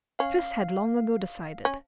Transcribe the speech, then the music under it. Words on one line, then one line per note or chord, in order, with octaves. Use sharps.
Chris had long ago decided.
C#4 F5
C#4